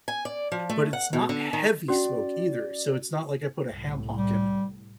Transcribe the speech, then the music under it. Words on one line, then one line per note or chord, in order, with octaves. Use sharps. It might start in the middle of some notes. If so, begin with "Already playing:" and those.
but it's not heavy smoke either, so it's not like I put a ham hock in it.
G#5
D5
F3
A3
F#5
B2
D3
D#3
C#4 F#4 D5
C2 A2
G3